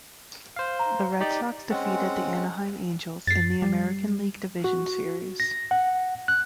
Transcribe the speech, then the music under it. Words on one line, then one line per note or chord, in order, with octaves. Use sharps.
The Red Sox defeated the Anaheim Angels in the American League Division Series.
C5 F5
A#5
D#4 G4 D5
G#3 C4 C#4 F#5
F#2 A6 C7
G3
F#4
A#6
F#5
F#6